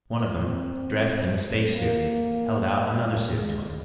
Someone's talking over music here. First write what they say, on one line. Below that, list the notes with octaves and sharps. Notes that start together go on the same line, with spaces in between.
One of them, dressed in a spacesuit, held out another suit to him.
C4
A#3
G#3